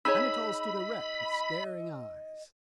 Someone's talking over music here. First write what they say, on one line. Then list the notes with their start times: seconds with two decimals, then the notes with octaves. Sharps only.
Anatole stood erect with staring eyes.
0.05 D#4 G#4 C#5 D#5 B5 E6